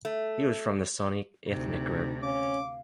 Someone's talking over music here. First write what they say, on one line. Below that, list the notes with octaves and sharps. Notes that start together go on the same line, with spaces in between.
He was from the Soninke ethnic group.
A3
D2 C3 D#4
C#4 F5 D6